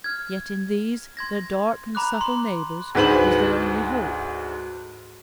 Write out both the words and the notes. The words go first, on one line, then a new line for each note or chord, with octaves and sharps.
Yet in these, their dark and subtle neighbors, was their only hope.
F6 G#6
C6 G#6 A#6
A#5 B5 D6 F#6
B5 C6
D2 G#2 B4 C5 F#7